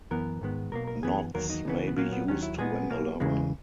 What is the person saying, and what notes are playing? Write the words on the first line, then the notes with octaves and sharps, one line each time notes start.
Knots may be used to win a lover.
F#2 E3 B3 A#4
G#2 D#3 G#3 B3
B1 B2 A#3 A#4
A#4
F#2 E3 B3 G#4
E2 D#3 F#3 A#3 A#4
D#4
C#2 C#3 E3 B3
B3
A#2 F#3 A#3 C#4
B3
D#2 D#3 F#3 C#4
E4
A#2 G#3 B3 G#4
B1 B2 A#3
E2 C#3 E3 G#3